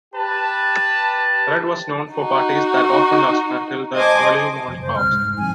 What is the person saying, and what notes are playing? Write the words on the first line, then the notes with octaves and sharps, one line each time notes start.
Red was known for parties that often lasted until the early morning hours.
G4 B4 A5
D#4 F#4
C5 D#5 G#5 A5 D6
F1
F#1 C5
C2 F6
G#2
F2 G#2 G#5